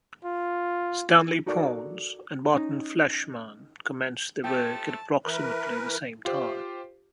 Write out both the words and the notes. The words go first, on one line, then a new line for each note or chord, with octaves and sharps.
Stanley Pons and Martin Fleischmann commenced their work at approximately the same time.
F4
D#4 F#4 A4 A#4 D5
C#4 D#4
F3 A3 G4 A5
E3 A#4 B4
F4 G4 C5